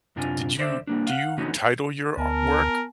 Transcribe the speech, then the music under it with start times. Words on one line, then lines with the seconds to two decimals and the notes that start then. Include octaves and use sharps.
Did you do you title your a work?
0.16 F#2 C3 D4 F4 G#5
0.58 D3 C5 D5 E5
0.87 G3 A#3 D4
1.07 F5 F#5
1.38 D3 E3 B3 C#4 D#4 F#4
2.17 D2 B3 A#4 G#5 A5